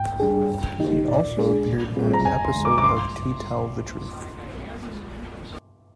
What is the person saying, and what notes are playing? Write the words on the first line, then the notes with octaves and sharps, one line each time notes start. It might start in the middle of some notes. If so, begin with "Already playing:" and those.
He also appeared in an episode of "To Tell the Truth".
Already playing: G#2 G5
G3 D4 G#4
G2
D#3 A#3 D#4 G4
A#2 D5
G#3 D4 G#4
A#2
G3 C4 F4 G#4
A#5
F2 G#5
C6
D3 G#3
D6
D6
G2 C6